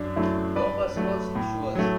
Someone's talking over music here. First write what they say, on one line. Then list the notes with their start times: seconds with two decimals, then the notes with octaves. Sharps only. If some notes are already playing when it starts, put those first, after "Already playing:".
No, but suppose she was.
Already playing: F#2 D4
0.16 F#3 A3 E4
0.56 G2 B4 D5
0.96 F#3 A3
1.35 A2
1.75 F#3 A3